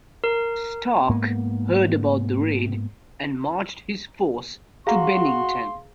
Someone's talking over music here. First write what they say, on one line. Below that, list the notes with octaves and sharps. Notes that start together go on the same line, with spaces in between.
Stark heard about the raid and marched his force to Bennington.
A#4
G#2 A#3 B3
F#4 G#4 F5 A#5 C6 C#6